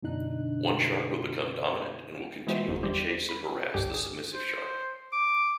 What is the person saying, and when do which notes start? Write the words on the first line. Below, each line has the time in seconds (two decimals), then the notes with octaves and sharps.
One shark will become dominant and will continually chase and harass the submissive shark.
0.02 F#2 B2 D3 D4 D#4 F#6
2.47 E3 G#3 B3 F#4 C5 E5
2.68 G1 E2
2.83 E2 G3 G4 C5
3.29 B5
3.74 G1 C2 G2 G4
3.94 G#4
4.33 C5
5.12 D6